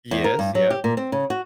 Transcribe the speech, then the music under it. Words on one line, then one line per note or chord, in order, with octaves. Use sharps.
Yes, yep.
E2
A#4
G2
F#3
G4
A#2
C4
C#3
F#4